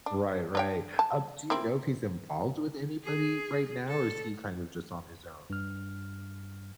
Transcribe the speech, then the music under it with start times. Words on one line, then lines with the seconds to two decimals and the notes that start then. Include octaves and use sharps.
Right, right. Um, do you know if he's involved with anybody right now or is he kind of just on his own?
0.06 D4
0.55 D4 C#5 G5
0.99 A5
1.50 A#3 C4 E4
3.04 G#4
3.88 A4
5.50 G2 F6